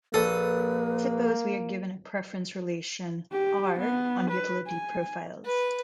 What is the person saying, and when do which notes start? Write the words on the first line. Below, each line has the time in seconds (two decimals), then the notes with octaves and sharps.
Suppose we are given a preference relation "R" on utility profiles.
0.14 A#1 A#3 A4 B4 D#6
3.32 G4
3.80 B3
4.31 B4
4.67 G#5
5.45 B4